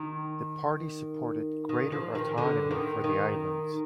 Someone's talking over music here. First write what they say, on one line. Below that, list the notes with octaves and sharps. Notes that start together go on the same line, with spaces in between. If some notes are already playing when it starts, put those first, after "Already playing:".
The parties supported greater autonomy for the islands.
Already playing: D#3
D#3
F3
D#3
D3
D#3
D#3